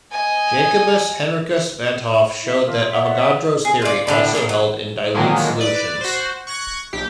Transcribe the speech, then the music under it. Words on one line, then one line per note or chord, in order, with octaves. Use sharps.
Jacobus Henricus van 't Hoff showed that Avogadro's theory also held in dilute solutions.
D#5 G#5
E4
F4 A4 A#4 C6
C#5 D5 E5 F#5
G#4
F4 D5
A2 D3 D4
A#3 D4 G#4 A#4
F#3
D3 D#3 F3 F#3 G#3 A#3
B4 D5
F#4 C5
C#6 F#6 G#6 A#6 C#7
B1 G4